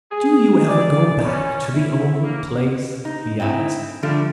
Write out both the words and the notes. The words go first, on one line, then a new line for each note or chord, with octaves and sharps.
"Do you ever go back to the old place?" he asked.
G#4
D5
C#4
E4
A#3
D#4
C4 D#4 E4
D3 F3 G3 A3